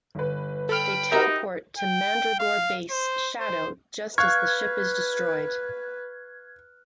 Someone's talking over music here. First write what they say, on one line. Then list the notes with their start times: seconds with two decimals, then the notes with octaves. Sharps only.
They teleport to Mandragore base Shadow just as the ship is destroyed.
0.15 G1 B4
0.69 A4 G5 B5 F6
1.12 D#4 F#4 G4 A#4 D#5 E5 A#5
1.78 G5
2.39 F5
2.91 C5
3.40 C5
4.18 B4 F5 C#6 F6 F#6 G#6